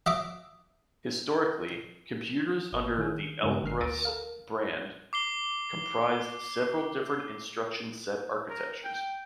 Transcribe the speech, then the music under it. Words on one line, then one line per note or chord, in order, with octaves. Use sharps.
Historically, computers under the "Elbrus" brand comprised several different instruction set architectures.
D#5 E5 D6
G#1 A#4
D#3 G#4
G2 C#3 G#3 D#4
G1 D3 F6 C7
D2 A#5 A6 A#6 D7 D#7
A4 A#4 F5
D6 C7 G7
A#4
G5